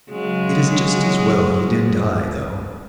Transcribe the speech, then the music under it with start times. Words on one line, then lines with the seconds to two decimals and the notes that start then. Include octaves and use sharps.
"It is just as well he did die, though."
0.11 C#3 F#3 G#3